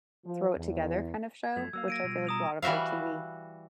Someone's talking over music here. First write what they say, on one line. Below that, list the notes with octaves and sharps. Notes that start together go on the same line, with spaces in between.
throw it together kind of show, which I feel like a lot of our TV
F3
E2
G#6
F#2 F3 A3
F#3 A#3 F5 E6
A#6 D7 D#7
B2 G3 F4
A#5 D#6 F7
E3 G3 F#4 E5 F5